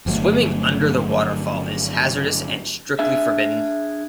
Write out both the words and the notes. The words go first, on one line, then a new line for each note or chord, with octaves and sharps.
Swimming under the waterfall is hazardous and strictly forbidden.
G1 F3 F#3 A3
D4 G#4 E5